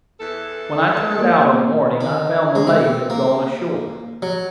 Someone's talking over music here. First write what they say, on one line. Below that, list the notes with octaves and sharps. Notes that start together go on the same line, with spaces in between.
When I turned out in the morning, I found the mate had gone ashore.
E2 E3 A4
A#3 B3 D5
D#3
G#3
C4
A#3
F#3